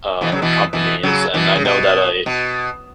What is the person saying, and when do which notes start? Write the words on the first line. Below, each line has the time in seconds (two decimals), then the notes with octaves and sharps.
uh, companies and I know that a,
0.21 B2 E3
0.32 C#3 F#3
0.42 B2 E3
0.73 B2 E3
1.03 C#3 F#3
1.34 B2 E3
1.55 C#3
1.65 B2
2.26 B2